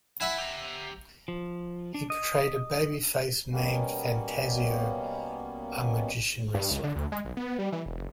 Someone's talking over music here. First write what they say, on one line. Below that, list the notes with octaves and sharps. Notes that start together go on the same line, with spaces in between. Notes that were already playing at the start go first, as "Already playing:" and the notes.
He portrayed a babyface named "Phantasio", a magician wrestler.
E4 E5 F#5 G#5
G4 A#5
F3
D4
D#5
B2 G3 A#3 B3 C#4
G2
C#2
D3
D2
G#3
B1
B3
G3
E3
E1
F#1